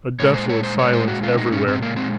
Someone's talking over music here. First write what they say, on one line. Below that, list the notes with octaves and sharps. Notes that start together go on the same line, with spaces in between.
A desolate silence everywhere.
A#2 G#3 C#5
C5
C#5
C5
A#2 G#3 C#5
C5
F#4
F4
C#4
A#2 G#3 D#4
C#4
C4
A#3
A#2 G#3 C4